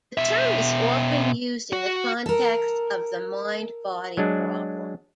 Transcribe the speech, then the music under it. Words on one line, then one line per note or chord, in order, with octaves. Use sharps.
The term is often used in the context of the mind body problem.
B2 E5
F#4
A4 A#4
F#3 G#3 D4